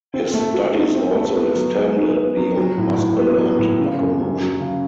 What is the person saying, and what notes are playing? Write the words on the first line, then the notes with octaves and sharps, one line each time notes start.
His studies also extended beyond muscle and locomotion.
C4
A3
F#4
D#4
C4
A3
B3
F#3
G#4
D#4
B3
F#3
F#3
A2
A2
B3
F#3
A2
C#3
F#2
F#2
F#3
C#3